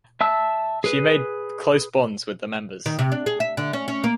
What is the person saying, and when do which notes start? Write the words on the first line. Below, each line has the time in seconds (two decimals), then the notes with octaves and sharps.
She made close bonds with the members.
0.21 E5 A5 E6
0.84 G#4 B4
2.86 D#3
2.99 C3
3.12 D4
3.26 G#4
3.40 E5
3.57 D3
3.73 C#4
3.88 C#4
4.04 A#3